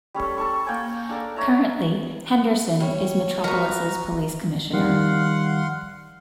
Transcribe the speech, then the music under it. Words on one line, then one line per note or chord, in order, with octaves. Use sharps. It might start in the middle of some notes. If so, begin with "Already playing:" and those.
Currently, Henderson is Metropolis' police commissioner.
G3 C#4 A4
A4 A5 C#6
A#3 G5 G#5
D4 A4 A#4
C#5 E5 A#5
G3 C#5
F#4 A#4 B4 D#5 A#5 C#6
D#3 F3 G3 F5 F#5 C6